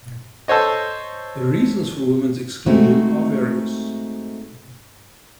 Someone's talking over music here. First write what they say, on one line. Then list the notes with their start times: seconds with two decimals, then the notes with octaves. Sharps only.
The reasons for women's exclusion are various.
0.48 A4 C5 C#5 D#5
2.66 G#3 A3 C4 D#4 F#4